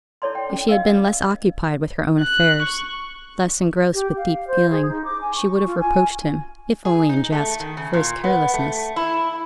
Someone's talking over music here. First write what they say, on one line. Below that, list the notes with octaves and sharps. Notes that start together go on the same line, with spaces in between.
If she had been less occupied with her own affairs, less engrossed with deep feeling, she would have reproached him, if only in jest, for his carelessness.
E4 A4 C#5 D5 A#5 C6
G5
C#4
D#5 F5 E6
F#6
C#6
G4
F5
C5
G#4
D#4
D6
G#5
C#6
F4
G#5
G#4
D#4
A3
D#3
C#3
A#2
B3
A3
E4